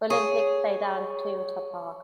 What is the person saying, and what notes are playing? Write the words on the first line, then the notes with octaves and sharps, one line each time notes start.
Olympic played out of Toyota Park.
G#4 C#5